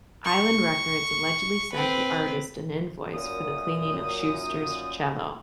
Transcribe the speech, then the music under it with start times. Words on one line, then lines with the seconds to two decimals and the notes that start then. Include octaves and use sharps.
Island Records allegedly sent the artist an invoice for the cleaning of Schuster's cello.
0.24 C#6
1.72 C4 B4
3.14 F#2 A#2 D#6